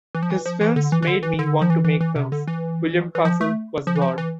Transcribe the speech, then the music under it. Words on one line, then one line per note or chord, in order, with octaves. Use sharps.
His films made me want to make films ... William Castle was God.
E3
F3
E3
F3
E3
D3
E3
E3
D3
E3
D3
F3
E3
E3
E3
C3
D3
E3
E3
F3
A3
F3
E3
F3
E3